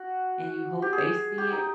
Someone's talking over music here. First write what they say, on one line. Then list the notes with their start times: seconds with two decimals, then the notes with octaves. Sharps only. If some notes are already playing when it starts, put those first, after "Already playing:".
and you hope they see it,
Already playing: F#4
0.82 G4
0.93 G#4
1.38 G4
1.52 D#4